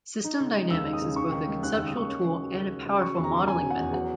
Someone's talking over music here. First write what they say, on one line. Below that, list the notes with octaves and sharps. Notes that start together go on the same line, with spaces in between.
System dynamics is both a conceptual tool and a powerful modeling method.
D#4
C#3
G#3
D#2 E6
D#4
D#6
C#3
D#2 C#6
D#3
G#3
D#2 F#6
E6
D#2
D#6
D#3 C#6
C#4
C#3
F#3
C#2
C#4
C#3
F#3 C#6
E2
A#5
D#3
E1 G#5
F#3
F#5
E2
F#3 F#5